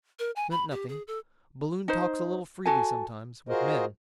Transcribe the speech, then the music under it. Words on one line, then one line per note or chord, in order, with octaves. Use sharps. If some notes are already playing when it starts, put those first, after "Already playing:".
I meant nothing, Balloon talks a little freely sometimes, with men.
A#4
G#5
B5
G4
G#4
A4
D#4 C5
F#4 A4 G#5
F4 F#4 G#4 A#4 C5 D#5